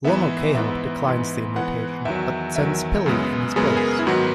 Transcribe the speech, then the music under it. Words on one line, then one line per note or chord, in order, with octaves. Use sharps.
Lonokaeho declines the invitation, but sends Pili in his place.
G#2 E3 B3 E5
G#2 E3 B3 E5
G#2 E3 B3
G#2 E3 B3 F#5
E2 D#3 F#3 E5
E2 D#3 F#3 E5
F#2 C#3 G#3 B3
F#2 C#3 G#3 B3 G#4
A#4
G#4
E4
G#2 D#3 F#3 B3 F#4